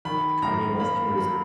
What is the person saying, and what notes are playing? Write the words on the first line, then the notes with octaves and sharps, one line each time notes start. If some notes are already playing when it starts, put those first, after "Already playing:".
like the Kanye West thing where he's like,
D#3 B5
F#2 A#5
A#3 B5
F#3 B5